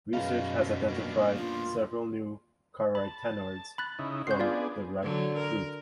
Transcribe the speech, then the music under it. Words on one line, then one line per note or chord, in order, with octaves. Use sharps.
Research has identified several new carotenoids from the ripe fruit.
F#2 B2 G3 G#3 C#4 D#4 B4 F5
A#3 D4
F4
A5 B5
B5 F#6 A6
C#3 D#4 E4
C4 C#4 F#4 G6 C7
B3 D4 F4 G#4 D5 F5
D3 F#3
A#4